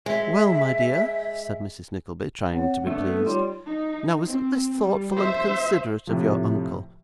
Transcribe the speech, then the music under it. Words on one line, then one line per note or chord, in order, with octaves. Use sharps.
'Well, my dear,' said Mrs Nickleby, trying to be pleased, 'now isn't this thoughtful and considerate of your uncle?
G#3 E5
C4 C#5 F#5
A3 B3 D4
A4
G3 D#4 F4 C#5 C6
D#4
C4
G3
C5 E5
A2 C3 F3